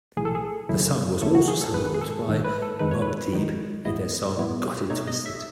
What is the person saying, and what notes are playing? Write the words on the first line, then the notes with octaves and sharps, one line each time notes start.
The song was also sampled by Mobb Deep in their song "Got It Twisted".
B1 A2 E3 G#4
A4
G#4
D#2 C#3 F#3 A3 E4
D#2 C#3 F#3 A3 E4 A4
F#4
G#4
A4
G#1 G#2 D#3 B4
G#4
A4
G#1 G#2 D#3
B4
A4
G#2 D#3 G#3 D#4 B4
C#5
B4
G#2 D#3 G#3 D#4
A1 A2 G#3 B3 E4 D#5
A1 A2 G#3 B3 E4
B2 A3 D#4 C#5
D#5
E5